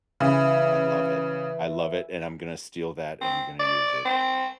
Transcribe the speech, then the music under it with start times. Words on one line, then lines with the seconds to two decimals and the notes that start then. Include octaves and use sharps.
I love it. I love it, and I'm gonna to steal that, and I'm gonna use it.
0.20 C#3 E3
3.21 C4
3.59 D5
4.05 C4